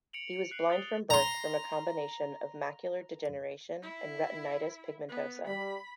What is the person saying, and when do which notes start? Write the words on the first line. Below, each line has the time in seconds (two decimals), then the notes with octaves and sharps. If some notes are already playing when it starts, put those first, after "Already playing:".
He was blind from birth from a combination of macular degeneration and retinitis pigmentosa.
0.13 C#7 D7 F7 F#7
0.34 C#7
0.51 F#6 C7 F#7
0.69 D#6 A6 F7 G7
1.10 A#5 C6
3.82 E4
5.09 B3
5.47 G3 B5